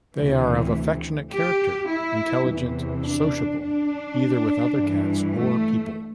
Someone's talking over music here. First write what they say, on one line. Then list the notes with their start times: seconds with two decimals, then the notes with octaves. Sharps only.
They are of affectionate character, intelligent, sociable, either with other cats or people.
0.16 D2 C3 E3
1.31 G4
1.88 E4
2.46 E2 C3 E3
3.03 D4
3.62 D4
4.76 G2 E3
5.35 A3